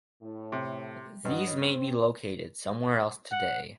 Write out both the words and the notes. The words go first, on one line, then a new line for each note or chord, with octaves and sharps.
These may be located somewhere else today.
A2
C3
G2 F#3 B4 D#5
C4
F#5